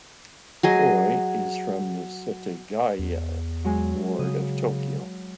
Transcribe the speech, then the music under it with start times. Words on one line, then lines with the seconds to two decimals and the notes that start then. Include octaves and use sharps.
Oi is from the Setagaya ward of Tokyo.
0.63 F#3 G#4 D#5
2.99 E2
3.64 F#3 G#3 G#5
4.19 C#3 D#6